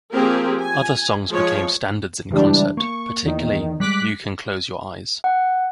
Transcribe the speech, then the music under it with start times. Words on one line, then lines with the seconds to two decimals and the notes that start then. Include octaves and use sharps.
Other songs became standards in concert, particularly "You Can Close Your Eyes".
0.13 F3 A#3 C4 G4 G#4 A#4
0.60 G#5
1.29 F3 G#3 C#5
2.31 F#1 E3 G3 G#3 D4
2.77 A#3 C#6
3.22 E2 D#3
3.80 G3 G#3 D6 F#6 B6
5.24 F#5